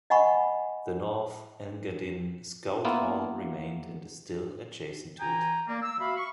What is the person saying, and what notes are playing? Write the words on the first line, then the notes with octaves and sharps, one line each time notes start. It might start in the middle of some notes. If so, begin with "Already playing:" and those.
The North Engadine Scout Hall remained and is still adjacent to it.
D#5 F#5 G#5 B5 C#6
A#3 B3 E4 F4
E3 G5 G#5 A#5
A#3 D5
E6
F#4 E5 F5 B5
C#6